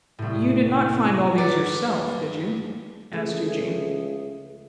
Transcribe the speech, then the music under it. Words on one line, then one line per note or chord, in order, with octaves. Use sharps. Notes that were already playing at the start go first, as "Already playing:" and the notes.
'You did not find all these yourself; did you?' asked Eugene.
C2 A2
G2 G3 G#3 B4 D5 F#5
C#2 A3 G#4